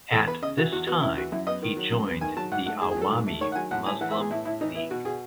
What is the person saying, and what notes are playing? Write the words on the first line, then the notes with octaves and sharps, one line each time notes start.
At this time he joined the Awami Muslim League.
E2 A4
B3 B4
C#3 D#5
E3 F#4
E2 F#4
B3 F#4
C#3 E4
E3 F#4
F#2 E4
B3 D#5
D#3
F#3
F#2
B3
D#3 G#5
F#3 A5
G#2 F#5
A3 F#5
D#3 G#4
G#4
F#3
A4
G#2
A3
D#3 C#5
F#5
F#3 G#5
A2 F#5
A2 G#5
E3 F#5
E5
B3
G#4
A2 E4
A2 E4
E3 D#4
B3 E4
B2 F#4
B2 G#4